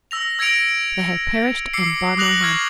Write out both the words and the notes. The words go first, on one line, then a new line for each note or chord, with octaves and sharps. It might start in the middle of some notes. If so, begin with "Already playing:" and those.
They have perished, and by my hand.
E6 A#6 F7
E6 G#6 A#6 C#7 D7 F7
D6 E6 C7 C#7
D6 D#6 F#6 A#6 F7 F#7
C#6 E6 F6 G#6